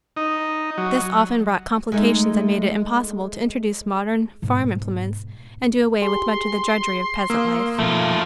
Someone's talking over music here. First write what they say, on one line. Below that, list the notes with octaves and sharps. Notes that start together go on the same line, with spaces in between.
This often brought complications and made it impossible to introduce modern farm implements and do away with much of the drudgery of peasant life.
D#4
F#3
G#3 A3 D#4
G#2 B2
G4 G#4 C6
A#3 F5 D#6 E6
B2 F3 A3 F4